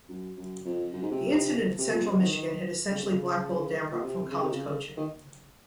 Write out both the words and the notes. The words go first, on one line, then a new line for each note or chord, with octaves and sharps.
The incident at Central Michigan had essentially blackballed Dambrot from college coaching.
F#2
F#2
F2
F#2
G#2
C3
C3
A#2
C3
D#3
D#3
C#3
C3
C#3
A#2
C3
C#3
C3
C#3
D#3